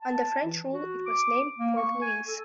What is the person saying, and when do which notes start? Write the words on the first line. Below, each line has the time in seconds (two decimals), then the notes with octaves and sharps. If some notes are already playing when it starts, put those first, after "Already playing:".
Under French rule it was named Port Louis.
0.02 A5
0.42 E3
0.73 F#4
1.06 D6
1.58 A#3
1.77 C#6
2.02 G#5
2.27 A4